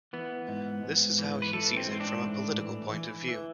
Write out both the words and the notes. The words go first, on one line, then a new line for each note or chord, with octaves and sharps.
This is how he sees it from a political point of view.
E3 B3
G#2
G#2
E3
B4
E3 A4
C4
G#2 C4
D4
A2
E3
E3
E3